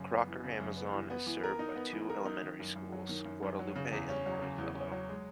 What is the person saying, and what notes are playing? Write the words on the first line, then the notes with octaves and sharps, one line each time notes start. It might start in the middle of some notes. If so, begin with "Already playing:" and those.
Crocker-Amazon is served by two elementary schools, Guadalupe and Longfellow.
Already playing: F#2 C#3
B3
E3
C#3
F#2
B3
E3
B3
E3
A#4
D#4
B3
E3
A#4
D#4
D#3
F#2
F#2
F#3
D#3
F#2
F#2
F#3
C#3
E2
C#4
F#3
C#3
E2
C#4
F#3
G#3